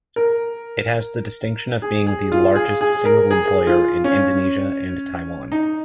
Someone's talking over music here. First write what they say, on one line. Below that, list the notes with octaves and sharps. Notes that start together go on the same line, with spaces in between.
It has the distinction of being the largest single employer in Indonesia and Taiwan.
A#4
G#4
G#4
F4
G#4
G#4
A#4
G#4
F4
C#4
D#4